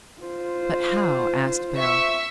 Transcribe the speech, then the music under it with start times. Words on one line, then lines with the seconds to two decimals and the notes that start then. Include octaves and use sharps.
"But how?" asked Bell.
0.22 F4 C5
1.78 E5 C#6 E6